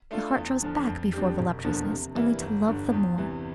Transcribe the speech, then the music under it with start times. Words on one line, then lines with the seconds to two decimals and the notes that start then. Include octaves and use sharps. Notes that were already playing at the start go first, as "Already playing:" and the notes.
The heart draws back before voluptuousness only to love the more.
0.11 A3 D4 F4 A4
0.36 E2
0.63 D3 F3
0.87 F2
1.13 D3 G3 C4 G4
1.39 E1
1.64 E2 D3 F3 A#3
1.91 C3
2.15 E3 G3 A#3 E4
2.41 G1
2.67 G2 D3
2.92 E2
3.18 C3 E3